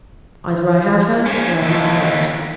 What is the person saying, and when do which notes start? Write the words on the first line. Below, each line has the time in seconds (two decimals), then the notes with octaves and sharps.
Either I have her, or I have not.
1.26 C#4 C5
1.62 D#2 A4